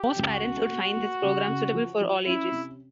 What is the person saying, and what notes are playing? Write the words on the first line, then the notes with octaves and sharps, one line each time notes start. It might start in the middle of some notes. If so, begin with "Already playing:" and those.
Most parents would find this program suitable for all ages.
Already playing: G4
C#2
F#4
B2
A#3
A#3
C#3
C#3
F3
F3
C#4 E4
C3